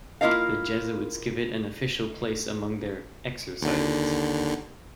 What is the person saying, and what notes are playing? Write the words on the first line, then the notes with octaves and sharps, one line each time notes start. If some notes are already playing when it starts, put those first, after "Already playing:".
The Jesuits give it an official place among their "exercises".
A#3 E4 F4 A#4 D#5 F5
D#2 D3